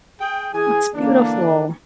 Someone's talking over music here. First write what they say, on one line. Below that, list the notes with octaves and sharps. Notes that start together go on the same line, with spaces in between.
That's beautiful.
G#4 G5
E3 G#4 G#5
D3 E3 A#3 D4